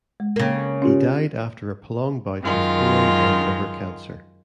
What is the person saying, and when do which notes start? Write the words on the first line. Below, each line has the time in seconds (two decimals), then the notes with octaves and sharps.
He died after a prolonged bout with colon and liver cancer.
0.20 G#3
0.36 C#3 A#3
0.82 C#4 F4 G4
2.40 F#2 D#3 G#3 F4